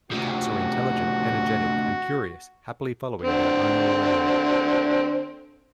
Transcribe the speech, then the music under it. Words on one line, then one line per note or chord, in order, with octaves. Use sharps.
The cats are intelligent, energetic, and curious, happily following their owner around.
D2 C3 F#4
D3 C4